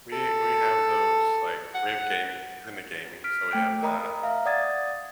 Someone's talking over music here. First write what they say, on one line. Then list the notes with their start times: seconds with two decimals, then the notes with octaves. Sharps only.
we we have those, like, we have gaming; he's into gaming, so we have that.
0.13 A4
1.75 F#5
3.24 F6 B6 D7
3.51 A3 G5 D7
3.83 A#4 D#5 A#5 B5 D#6
4.23 E5 F5
4.46 D5 F#5 D#6 G#6 A6